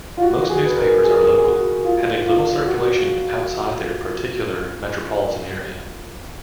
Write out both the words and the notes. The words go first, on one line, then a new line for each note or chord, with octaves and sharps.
Most newspapers are local, having little circulation outside their particular metropolitan area.
F4
F#4
F#4
G#4
B4
A#4
G#4
A#4
G#4
G#4
F#4
F4
F4
F#4